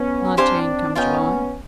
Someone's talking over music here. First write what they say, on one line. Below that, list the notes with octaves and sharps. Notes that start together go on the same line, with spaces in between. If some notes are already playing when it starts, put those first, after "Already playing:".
'Nineteen, come July.'
Already playing: B3 C#4
C4 D4 G4 C5 F5 G#5
B3 C#4 F4 A#4 D#5 G5